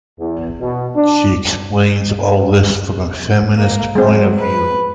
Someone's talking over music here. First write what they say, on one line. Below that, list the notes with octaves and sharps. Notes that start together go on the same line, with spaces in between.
She explains all this from a feminist point of view.
E2
B2
D4
A#3
F#3 G#3 C4
B4